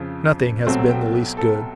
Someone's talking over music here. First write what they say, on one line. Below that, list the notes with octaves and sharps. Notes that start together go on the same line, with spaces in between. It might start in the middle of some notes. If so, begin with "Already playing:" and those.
Nothing has been the least good.
Already playing: F2 C#3 F3
C2 B2 F#3 A3 C4
G5
A4